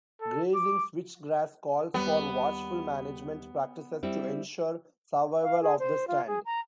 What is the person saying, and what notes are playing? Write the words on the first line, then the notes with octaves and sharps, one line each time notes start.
Grazing switchgrass calls for watchful management practices to ensure survival of the stand.
A4
D6
D#2 G3 B3
G3 C4 E4
F5
G#4
C5
F4
G#4
A#5